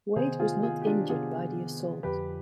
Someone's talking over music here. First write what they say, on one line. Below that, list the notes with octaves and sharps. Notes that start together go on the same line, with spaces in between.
Wade was not injured by the assault.
C3 D#3 B3 G#4 C5
F4 G#4
F4 G#4
G4
D4 F4
C3 D#3 B3 F4 G#4
F2 D3 F3 G4 B4